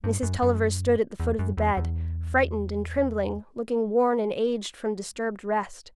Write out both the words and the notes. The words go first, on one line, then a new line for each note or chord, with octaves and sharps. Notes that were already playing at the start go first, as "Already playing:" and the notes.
Mrs. Tulliver stood at the foot of the bed, frightened and trembling, looking worn and aged from disturbed rest.
G2
F#2
F#2
E2
F#2
E2
E2